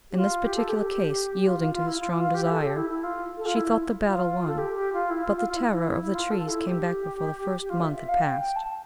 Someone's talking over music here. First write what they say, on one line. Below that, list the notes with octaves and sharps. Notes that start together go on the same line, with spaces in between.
In this particular case, yielding to his strong desire, she thought the battle won, but the terror of the trees came back before the first month had passed.
G4
F4
G4
A4
G4
F4
F4
F4
E4
F4
F4
G4
G4
A4
G4
E4
E4
F4
A4
F4
E4
F4
A4
G4
G4
F4
E4
F4
F4
F4
E4
E4
E4
F4
A4
E4
G4
G4
F4
E5
E5
F5
G5
G5
A5